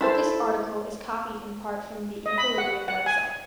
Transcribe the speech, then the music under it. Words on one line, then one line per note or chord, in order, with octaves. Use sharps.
This article is copied in part from the Equilibrium website.
E4 A4 C5
D#5
B5
F#5
F#5
G#5